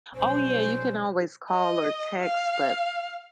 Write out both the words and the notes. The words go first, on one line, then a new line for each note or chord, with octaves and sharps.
Oh, yeah, you can always call or text, but
B1 G3 C#4 C5
D#5
F5